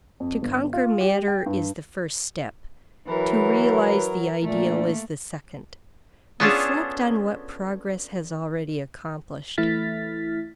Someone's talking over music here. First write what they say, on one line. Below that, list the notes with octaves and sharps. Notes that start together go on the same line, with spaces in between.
To conquer matter is the first step; to realize the ideal is the second. Reflect on what progress has already accomplished.
F2
G1
F4
G4
G5
G2
E3 F#3 A#4 B4
A#2 D3 A3 A#3
B3 C#4 D4 F4 G#4 A4
E3 A3 E4 F6 A6 B6